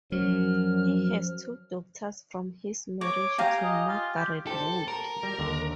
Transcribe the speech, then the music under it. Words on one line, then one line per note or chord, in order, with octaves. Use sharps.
He has two daughters from his marriage to Margaret Wood.
F#2 F3 F#3 F6
C#5 D6
G4 F5 G#5 A#5
D#5
F4
G4
G4 A4 C5
A#4
G3
D#2 D3